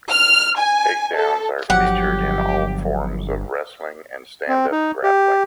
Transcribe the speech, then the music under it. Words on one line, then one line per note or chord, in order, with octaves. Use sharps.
Takedowns are featured in all forms of wrestling and stand-up grappling.
F6
G#5
A4
G1 F3 F#3 G4 F#5
C4
D#4
G4